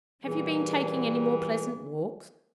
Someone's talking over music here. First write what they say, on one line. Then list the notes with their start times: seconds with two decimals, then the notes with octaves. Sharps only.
'Have you been taking any more pleasant walks?'
0.25 A#2 E3 G3 G#4